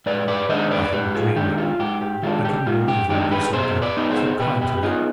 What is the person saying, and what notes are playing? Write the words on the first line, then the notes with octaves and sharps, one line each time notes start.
I hadn't dreamed--I couldn't believe you would be so good, so kind to me.
G#2 B4 D5
B4 D5
D#3 G#3 D4 C5 D#5
B4 D5
G#2 G4 B4
F4 G#4
D#3 G#3 D4 G4
F4
G#2 G4
G4
D#3 G#3 D4 F4
G4
G#2 F4
G4
D#3 G#3 D4 G4
G4 B4
B2 G#4 C5
B4 D5
B3 D#4
G#4 C5
B2 G4 B4
G4 B4
G4
B3 D#4 F4 G#4